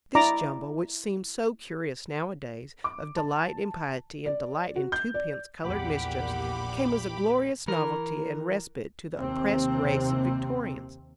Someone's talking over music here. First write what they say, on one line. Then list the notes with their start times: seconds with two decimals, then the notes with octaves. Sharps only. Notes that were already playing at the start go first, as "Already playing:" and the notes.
This jumble--which seems so curious nowadays--of delight in piety and delight in twopence-coloured mischiefs came as a glorious novelty and respite to the oppressed race of Victorians.
0.15 E4 D5 A#5 D6
2.84 D6
3.16 A5
4.26 D5
4.76 F#4
4.92 G6
5.14 D5
5.63 A#1 E2 A#2 G4 F#5 B5 D6
7.67 E3 A#4
9.16 D#2 C3 C4